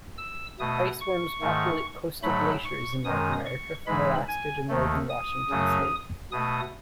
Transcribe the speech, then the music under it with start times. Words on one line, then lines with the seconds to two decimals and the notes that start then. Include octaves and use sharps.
Ice worms populate coastal glaciers in North America from Alaska to northern Washington state.
0.18 E6
0.60 B2 A3 D#6
1.00 C#6
1.41 G#2 D#3 A3
2.22 G#2 F#3 A3 B5
2.64 C#6
3.04 F#2 D#3 G#3 D#6
3.46 C#6
3.86 G#2 E3 G#3 B5
4.28 G#5
4.69 D#2 D#3 A3
5.09 D#6
5.50 F#2 C#3 F#3 A3
6.32 B2 A3 D#6